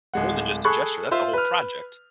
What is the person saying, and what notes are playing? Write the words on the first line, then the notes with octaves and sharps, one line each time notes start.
more than just a gesture, that's a whole project.
D1 G#3 F#5
G#4 A4 B5 C#6 F#6
F4 C5 E5
B4 F6